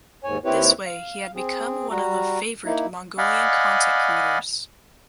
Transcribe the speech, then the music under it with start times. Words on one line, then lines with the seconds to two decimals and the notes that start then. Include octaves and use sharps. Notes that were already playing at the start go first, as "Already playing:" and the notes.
This way he had become one of the favourite Mongolian content creators.
0.24 D#2 G#2 C#5 G#5
0.45 D#2 C4 E4 G4 B4 C#5
0.86 F5
1.35 C4 G#4
1.90 G3 F#4 A#5
2.65 A#3 D#4 E4
3.18 D5 D#5 F5 F#5 G#5 B5